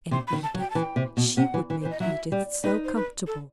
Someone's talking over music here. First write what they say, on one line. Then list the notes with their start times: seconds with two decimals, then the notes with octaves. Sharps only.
And Edith--she would make Edith so comfortable!
0.11 C3 C6
0.28 B5
0.33 D#3
0.43 A5
0.54 F#3
0.59 G5
0.70 E3 A5
0.81 G5
0.96 C3
1.17 B2
1.37 C3 F#5
1.54 E3
1.70 E3
1.81 E3 C5
1.91 D#5
2.00 F#3 E5
2.32 G3
2.64 D#4 B4
2.84 C5
2.95 B4
3.27 A4